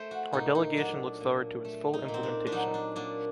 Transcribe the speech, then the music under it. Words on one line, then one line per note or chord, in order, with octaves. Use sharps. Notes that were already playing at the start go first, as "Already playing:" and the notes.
Our delegation looks forward to its full implementation.
Already playing: A3 C5
F#4
A#2 D#4
D#4
F#3 D4
A#2
A3
D#4
A#2
C4
D4
D4
F#3 D#4
D4
A#2 D4